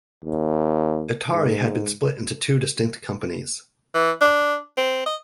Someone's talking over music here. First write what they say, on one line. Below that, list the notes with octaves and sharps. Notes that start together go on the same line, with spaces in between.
Atari had been split into two distinct companies.
D#2
G#2
E3
D4
C4
D#5